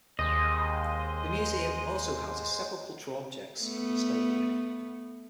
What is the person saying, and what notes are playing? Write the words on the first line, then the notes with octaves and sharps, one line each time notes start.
The museum also houses several cultural objects of the state within it.
D#2 G#3 C5 D#5
A3 B3